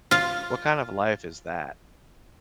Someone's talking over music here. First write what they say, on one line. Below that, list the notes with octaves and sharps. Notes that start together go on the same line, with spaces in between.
What kind of life is that?
F4 F5